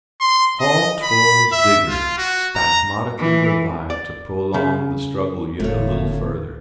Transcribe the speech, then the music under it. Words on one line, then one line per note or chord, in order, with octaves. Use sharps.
All Troy's vigour spasmodically revived to prolong the struggle yet a little further.
C6
D#5
B5
E5
F4
F#4
A#5
E3
D5
C#3
F#1 A2 D3 A3 A#3 C#5